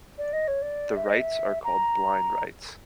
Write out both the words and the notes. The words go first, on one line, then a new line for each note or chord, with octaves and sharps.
The writes are called blind writes.
D5
D#5
C#5
D5
E5
D#5
E5
A#5